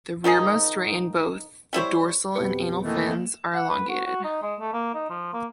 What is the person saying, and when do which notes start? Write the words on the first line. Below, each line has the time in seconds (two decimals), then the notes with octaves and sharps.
The rearmost ray in both the dorsal and anal fins are elongated.
0.24 D#3 F3 D#4 G#4
1.73 G3 E4 C5 C#5
2.36 F2 B2 G4 B4 C#7
2.84 D#3 E3 A3 A#3
3.55 F#5
3.69 B4
3.89 F#4
4.06 F#4
4.24 D#4
4.42 G#3
4.60 A3
4.73 A#3
4.94 D#4
5.10 F3
5.33 A#3